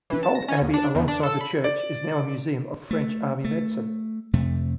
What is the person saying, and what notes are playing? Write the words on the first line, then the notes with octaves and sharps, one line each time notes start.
The old abbey alongside the church is now a museum of French army medicine.
E3
A5
A#6
C#4
D#2
D4
E2
D4
A4
B5
D5
A3
A3
F2 C3 A3